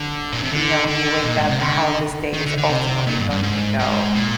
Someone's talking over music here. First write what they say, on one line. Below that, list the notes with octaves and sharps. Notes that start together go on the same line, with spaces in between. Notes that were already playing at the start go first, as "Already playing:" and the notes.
you know, when you wake up how this day is ultimately going to go.
Already playing: D3
A#2
C3
D3
D3
A#2
G#2
C3
D3
D#3
D3
D3
C3
A#2
G2
G2
G#2
G#2
A#2